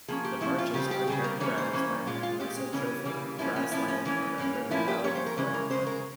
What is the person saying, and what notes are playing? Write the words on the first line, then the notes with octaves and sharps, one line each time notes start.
The marshes are characterised by mesotrophic grassland on a river valley flood plain.
F3 A#3 C#4 G#4
G4
F3 A#3 C#4 E4
F4
C#3 G3 C4 G4
G4
C#3 G3 C4 G#4
A#4
E3 A#3 C#4 C#5
C5
E3 A#3 C#4
A#2 G#3 C#4 F4
F4
A#2 G#3 C#4 G4
C#4
C#3 E3 G3 A#3 C#4
C#3 E3 G3 A#3
F3 A#3 C#4 E4
C#4
F3 A#3 C#4 E4
C#4
E3 A#3 C#4
E3 A#3 C#4
F3 A#3 C#4 E4
G4
F3 A#3 C#4 C#5
C5
A#4
C#3 E3 G#3 C#4 C5
A#4
C#3 E3 G#3 C#4 C5
A#4